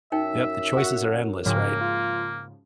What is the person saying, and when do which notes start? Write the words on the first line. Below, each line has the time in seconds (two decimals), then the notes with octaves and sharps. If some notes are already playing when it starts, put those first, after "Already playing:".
Yep. The choices are endless, right?
0.12 F#2 D#4 C#5 E5 G5
0.77 F#4 F#5
1.46 G#2 C#3 F3 A#3 C#4 F#4
1.81 F4